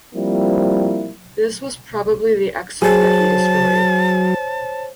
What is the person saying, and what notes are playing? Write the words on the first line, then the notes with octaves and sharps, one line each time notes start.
This was probably the excerpt that he destroyed.
F3 G3 A#3 C4 E4
F#3 G#4 C5 C#5 A5